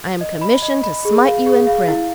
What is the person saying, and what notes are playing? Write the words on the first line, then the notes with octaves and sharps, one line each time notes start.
I am commissioned to smite you in print.
D#5
B5
D#5
B5
G#4
F5
G#4
F5
E4